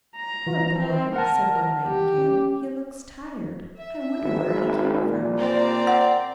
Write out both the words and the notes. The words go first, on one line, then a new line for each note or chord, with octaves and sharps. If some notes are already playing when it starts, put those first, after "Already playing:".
"Poor boy!" said one nightingale, "he looks tired; I wonder where he came from."
A#5
E3
C4
A#4 F#5 A5
G4
C#4
E5
G#1
A#2
C4 D5 A#5
F#5